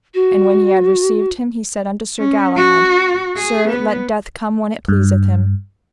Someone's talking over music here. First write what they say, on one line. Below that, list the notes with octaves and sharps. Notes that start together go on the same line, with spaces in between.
And when he had received Him he said unto Sir Galahad: Sir, let death come when it pleaseth him.
F#4
C#4
F#4
G#4
B3
G2